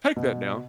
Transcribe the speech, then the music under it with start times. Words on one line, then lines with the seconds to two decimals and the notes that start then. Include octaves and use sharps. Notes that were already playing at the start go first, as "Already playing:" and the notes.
take that down.
0.16 B2